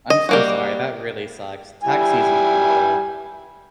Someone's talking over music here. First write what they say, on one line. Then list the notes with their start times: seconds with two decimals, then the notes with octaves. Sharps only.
I'm so sorry, that really sucks, tax season's brutal.
0.10 D#5
0.29 G3 A#3 F#4
1.83 G3 E4 G#5